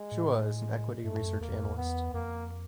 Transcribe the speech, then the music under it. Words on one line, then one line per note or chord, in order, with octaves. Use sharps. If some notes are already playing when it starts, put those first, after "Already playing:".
Chua is an equity research analyst.
Already playing: G#3
A2
G#3
G2 A3
F#2
E2 A#3
F2
F#2
E2
B3
F2 A#3